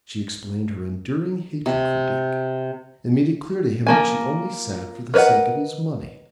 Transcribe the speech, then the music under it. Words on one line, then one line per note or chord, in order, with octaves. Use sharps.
She explained her enduring hatred for Dick, and made it clear to him that she only sat for the sake of his money.
C3
F3 A#3 G#5
A#4 B4 C#5 D#5 F#5